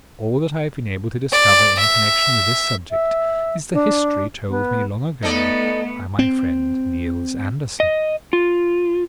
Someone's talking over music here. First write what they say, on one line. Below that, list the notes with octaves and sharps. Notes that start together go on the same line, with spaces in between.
All that I have been able to discover in connection with this subject is the history told me long ago by my friend Niels Andersen.
D5
E5
E5
D4
B3
A3 B3 D#4 A4 D5
C4
D#5
F4